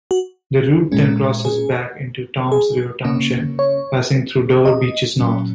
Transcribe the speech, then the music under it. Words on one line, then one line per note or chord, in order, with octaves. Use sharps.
The route then crosses back into Toms River Township, passing through Dover Beaches North.
F#4
A#2 G#3 C#4
G#4
G#4
C#3 A#3 C#4
C#5
D#5
A#2 F#3 C#4